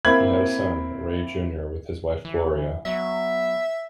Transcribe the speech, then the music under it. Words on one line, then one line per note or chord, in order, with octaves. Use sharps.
He had a son, Ray Junior with his wife Gloria.
A#3 C4 E4 B5 G#6 F#7
E3
F#3 B3 E5